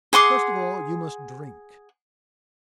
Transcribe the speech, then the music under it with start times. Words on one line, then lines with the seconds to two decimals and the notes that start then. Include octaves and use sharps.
"First of all you must drink!"
0.13 G#4 F#5 C6 D6